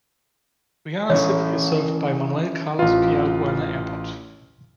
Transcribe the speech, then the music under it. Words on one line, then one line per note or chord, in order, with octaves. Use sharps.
Guayana City is served by Manuel Carlos Piar Guayana Airport.
E3 C#4 C#5
A1 F4